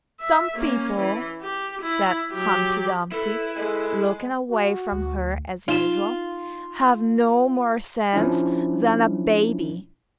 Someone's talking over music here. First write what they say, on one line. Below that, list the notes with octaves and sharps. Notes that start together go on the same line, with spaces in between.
'Some people,' said Humpty Dumpty, looking away from her as usual, 'have no more sense than a baby!'
E5
A#3 C#4
E3
G4
E4
F#3 G4
E4 A4 B4
G#3 A4
F#4
D2
D#4 F4 E7
F3 C#4 D4 E4